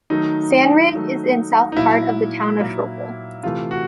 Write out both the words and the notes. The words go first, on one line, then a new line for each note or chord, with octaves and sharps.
Sand Ridge is in south part of the Town of Schroeppel.
D#3 F#3 A3 D#4
D#3 F#3 A3
D#4
A#2 F#3 A#3 E4
A#2 F#3 A#3
C3 E3 A3 F4
F#4